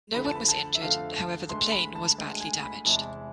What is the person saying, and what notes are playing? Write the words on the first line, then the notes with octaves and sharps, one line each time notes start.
No one was injured, however the plane was badly damaged.
F2 D3 A3 B5
A5
B5
A5
E5
F2 D3 A3 F5
A5
D2 D3 G#3 C6
B5
A5
D2 D3 G#3
G#5
B5
E2 C3 G#3 A5